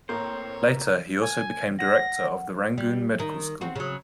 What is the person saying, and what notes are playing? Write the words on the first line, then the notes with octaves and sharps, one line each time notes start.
Later, he also became director of the Rangoon Medical School.
A2 A#3 C4 A#4 C5 C#5
G#5
F#5 A#6
G3
D#3
C4 F#4
C#3 F#3